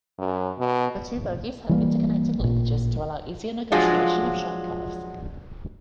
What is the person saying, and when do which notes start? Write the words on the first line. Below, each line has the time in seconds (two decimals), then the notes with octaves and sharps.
The two bogies had interconnecting linkages to allow easier negotiation of sharp curves.
0.18 F#2
0.59 B2
1.69 E3 G3 A#3
2.40 A1 A#2
3.72 F3 F#3 G#3 D4 F4